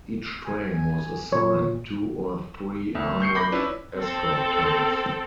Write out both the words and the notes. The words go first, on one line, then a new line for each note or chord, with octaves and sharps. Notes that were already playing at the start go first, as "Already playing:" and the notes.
Each train was assigned two or three armored escort cars.
G#5
A#2 C#5
D2
C#6 G6 C7 C#7
B5 D6 G6 A#6
C#4 D4 E4 B4
C4 A4